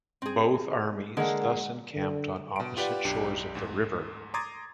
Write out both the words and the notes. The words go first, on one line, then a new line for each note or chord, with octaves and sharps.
Both armies thus encamped on opposite shores of the river.
C4 G#4
D3 G#3 A#3 G#4 F#5
D3
B2 D7
F4 G4 B4 D5 F#5
B1 F#2 D4 G4 C7
D2 G#2
A#5 C6 D6 D#6 G#6 A6